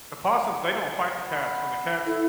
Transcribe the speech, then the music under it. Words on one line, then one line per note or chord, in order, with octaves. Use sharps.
the possums, they don't fight the cats. When the cats
F#5 B5
E4 A4